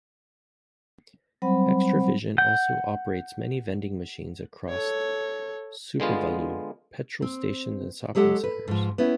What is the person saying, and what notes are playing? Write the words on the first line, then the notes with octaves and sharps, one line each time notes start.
Xtra-Vision also operates many vending machines across SuperValu, petrol stations and shopping centres.
F#3 G3 C4 C5 F#5 B5
F#5 G6
A4 C#5
D3 G#3 B3 F4
C4
F#3 G#3 G4 A4 F#5
B4
G#2 F3
B3 C#4 E4